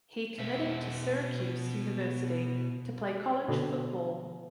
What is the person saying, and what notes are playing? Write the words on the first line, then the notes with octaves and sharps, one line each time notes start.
He committed to Syracuse University to play college football.
B2 E5
B2 D3